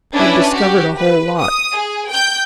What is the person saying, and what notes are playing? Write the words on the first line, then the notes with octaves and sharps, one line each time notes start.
I've discovered a whole lot.
C#4 D4 E4 B4
F#4 G4
B4
D#6
G#4
G5 G6